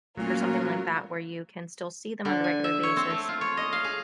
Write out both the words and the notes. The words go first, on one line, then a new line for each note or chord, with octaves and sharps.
or something like that where you can still see them on a regular basis,
A#2 F#3 A3 C#4 F4 A#4
D3
G#5
E5
C#5
C4
A3
F4
C#5
D#5
F5
G#4